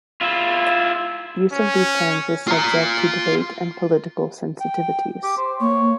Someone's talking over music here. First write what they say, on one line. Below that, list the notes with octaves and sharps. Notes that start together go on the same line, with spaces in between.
Use of these terms is subject to debate and political sensitivities.
E4 F4
C#4
F4 A#5
G5
G4
C5
A#3 C#5